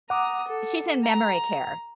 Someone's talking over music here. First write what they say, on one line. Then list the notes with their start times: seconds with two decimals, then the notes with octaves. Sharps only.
She's in memory care.
0.10 F#5 A#5 D6 D#6
0.48 A4
1.05 A#5